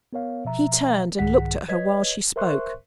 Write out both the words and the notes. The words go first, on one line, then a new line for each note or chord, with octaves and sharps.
He turned and looked at her while she spoke.
B3 A#4 C#5 F5
B2 F3 E5 A#5
C2 G#2 D#3 G#4 F#5 B6
B4 C#5 D#5 G#6 B6
A#4 C5 E5 C6 C#6 F#6